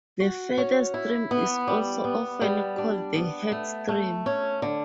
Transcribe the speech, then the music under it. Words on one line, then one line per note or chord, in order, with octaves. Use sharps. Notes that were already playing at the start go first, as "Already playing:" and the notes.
The furthest stream is also often called the headstream.
F#4
C#4
E4
B3
G3
B3
G3
D4
B3
A3
A3
C#4
D3